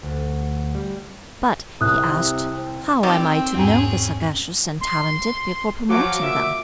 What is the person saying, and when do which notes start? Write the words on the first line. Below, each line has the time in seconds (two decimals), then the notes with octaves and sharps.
"But," he asked, "how am I to know the sagacious and talented, before promoting them?"
0.03 D2
0.75 G3
1.81 C2 C3 D#6 F#6
2.52 C4
3.03 D#3 G3 C4 G4
3.55 E2 G#2 C#4 G#4
4.81 C6
5.89 F3 F#3 D6
6.22 A#2 F#4 E5